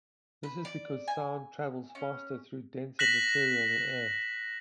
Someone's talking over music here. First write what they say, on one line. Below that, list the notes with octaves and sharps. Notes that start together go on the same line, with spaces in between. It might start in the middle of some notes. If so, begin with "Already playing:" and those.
This is because sound travels faster through denser material than air.
B4
D5
G#5
C#4
F#6 A#6 B6 E7 F#7